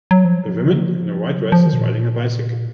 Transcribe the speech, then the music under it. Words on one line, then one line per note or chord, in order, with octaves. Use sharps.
A woman in a white dress is riding a bicycle.
F#3
F3
F#3
F3
F#3
F3
D#3
B2
A#2